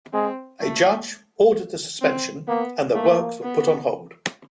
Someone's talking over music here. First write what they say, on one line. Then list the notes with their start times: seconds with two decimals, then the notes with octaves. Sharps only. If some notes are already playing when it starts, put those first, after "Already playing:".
A judge ordered the suspension and the works were put on hold.
0.13 G#3 C4
0.60 A3
2.02 C4
2.48 A#3 B3
2.95 A3 A#3
3.42 B3